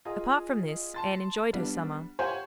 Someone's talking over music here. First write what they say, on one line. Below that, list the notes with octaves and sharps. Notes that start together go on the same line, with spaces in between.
Apart from this, Anne enjoyed her summer.
F4 G#4 D#5
A5 C6 A6
G3 B3 D4
G4 C5 C#5 F5 F#5 G#5